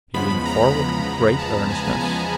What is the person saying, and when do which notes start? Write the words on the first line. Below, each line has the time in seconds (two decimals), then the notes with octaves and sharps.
He leaned forward with great earnestness.
0.14 E2 C#3 F3 G#3 B3 B5
0.45 A#5
0.65 A#5
0.77 B5
1.08 E2 C#3 F3 G#3 B3 B5
1.39 A5
1.70 G#5
1.77 A5
1.85 G#5
2.01 E2 C#3 F3 G#3 B3 G#5